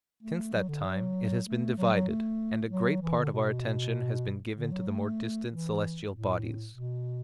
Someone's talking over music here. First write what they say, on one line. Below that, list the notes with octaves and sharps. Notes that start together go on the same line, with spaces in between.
Since that time it has been divided, and a great part of our attention has been given to the more distant celestial bodies.
A3
F#3
D3
F#3
A3
F#3
F#3
A3
F#3
E3
D3
B2
D3
F#3
A3
E3
A2
B2